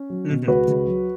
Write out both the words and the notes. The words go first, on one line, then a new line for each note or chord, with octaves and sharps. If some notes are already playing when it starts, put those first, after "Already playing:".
Mhm. T
Already playing: C#4
F#3
B2
C#2 F#4 B4
C#2
F#3